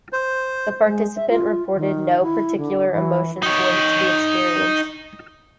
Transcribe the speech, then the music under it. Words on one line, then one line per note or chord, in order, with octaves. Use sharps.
The participant reported no particular emotions linked to the experience.
C5
G#3
E5
F4
D#3
E4
D3
E3
D#4 C#5